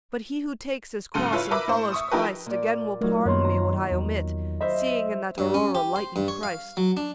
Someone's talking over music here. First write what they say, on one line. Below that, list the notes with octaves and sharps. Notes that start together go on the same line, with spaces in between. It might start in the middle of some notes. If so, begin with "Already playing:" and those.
But he who takes his cross and follows Christ Again will pardon me what I omit, Seeing in that aurora lighten Christ.
B1 G#2 C#3 A4 C6 D#7
E4 F4 B4 C#5
A#4 B4 E5 B5 D6
A2 C5
E5 C#6 D#6
F3 D#4 E4 G4 A#4 B4
A#2 D5
F#3 A3 D#4 F4 A#4
F#2 D#3 A#3 B3 C#5 C6
A#5
E2
C5 D#5 E5 B5
G2
C#4
G4
C5
G2
C#5
F5
F#3
D4